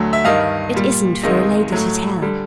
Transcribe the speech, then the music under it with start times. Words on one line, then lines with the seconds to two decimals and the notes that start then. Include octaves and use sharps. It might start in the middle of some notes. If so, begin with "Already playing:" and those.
'It isn't for a lady to tell.'
Already playing: D2 D3 F#3 A3
0.13 E5
0.24 G2 D#3 G3 D#5 F5
0.74 A#2 G3
1.23 C#2 C3 D#3 G#3 D#5
1.72 A2 F#3 A3
2.22 D3 G3